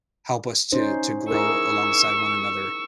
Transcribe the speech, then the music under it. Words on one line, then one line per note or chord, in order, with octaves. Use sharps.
help us to to grow alongside one another,
C#4 D#4 C5
E4 G#4 A#4 C#6 E6